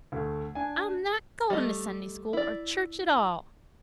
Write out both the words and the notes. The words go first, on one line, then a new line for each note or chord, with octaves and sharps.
I'm not going to Sunday School or church at all.
D2 A3
D4 G#5
G3 A3 D#5
E4 D5